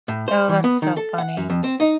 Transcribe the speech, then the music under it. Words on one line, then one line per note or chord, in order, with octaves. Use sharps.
Oh, that's so funny.
A2
C5
E3
B3
D#3
A4
F#5
F#2
F2
C4
D#4